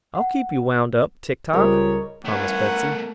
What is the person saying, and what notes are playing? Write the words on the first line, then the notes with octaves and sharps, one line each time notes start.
"I'll keep you wound up, Tik-Tok," promised Betsy.
F#5
C#2 G3 G#3 A#4 C5 C#5 D#5
E3 A3 C#4 A#4 F#5